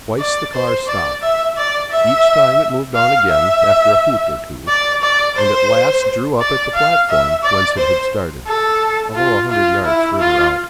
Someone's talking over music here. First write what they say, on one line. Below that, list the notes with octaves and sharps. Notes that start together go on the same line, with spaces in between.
Twice the car stopped; each time it moved on again after a hoot or two, and at last drew up at the platform whence it had started, although a hundred yards further out.
D5
C5
D5
E5
D5
E5
F5
E5
D5
D5
C5
D5
F5
E5
D5
C5
A4
F4
F4
E4
F4